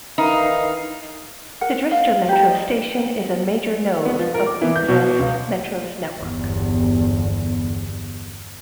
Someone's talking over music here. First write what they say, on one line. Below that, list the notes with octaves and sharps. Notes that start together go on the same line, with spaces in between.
The Dristor metro station is a major node of Bucharest Metro's network.
D#3 E3 D#4 F5
A#4 F#5
F5
G4 C5 A#5
D5 D#5
B3
F3
A#4
D6
E3
G6
B2
C#2
G1 E2